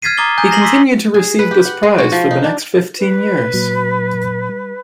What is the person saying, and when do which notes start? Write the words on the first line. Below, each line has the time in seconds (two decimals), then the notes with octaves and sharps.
He continued to receive this prize for the next fifteen years.
0.02 F6 G#6 A6 B6 C7 D#7
0.18 A#5 D6 D#6 A6 G7
0.38 G#5 A#5 D#6 G6
0.50 A#5 A#6 C7 F#7 G7
0.62 C6 D6 E6 B6
1.14 G#4
1.39 B4
1.51 G4
1.65 F#5
1.83 G#3
1.98 F#4
2.12 F3
2.31 D#4
2.44 D4
2.99 B4
3.54 A#2 F#3
4.49 G3